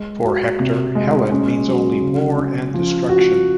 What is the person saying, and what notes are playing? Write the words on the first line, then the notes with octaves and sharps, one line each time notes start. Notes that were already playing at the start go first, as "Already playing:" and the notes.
For Hector, Helen means only war and destruction.
Already playing: G#3 G#4
F#4
C3
G#3
C#4
F#3
C#3
C#4
F3
F#4